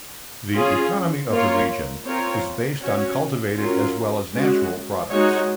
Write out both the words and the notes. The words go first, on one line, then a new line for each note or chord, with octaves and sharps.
The economy of the region is based on cultivated as well as natural products.
C#4 F4 G#4
A#3 F4 A#4 C#5
C4 F4 A#4 C#5
C#4 F#4 C#5
F#3 C#4 F4 A#4
G#3 C#4 F#4
G#3 D#4 F#4 C#5